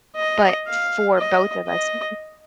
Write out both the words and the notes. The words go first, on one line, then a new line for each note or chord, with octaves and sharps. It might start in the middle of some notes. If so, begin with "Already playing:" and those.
but for both of us, m
D#5
F5
D#5
D#5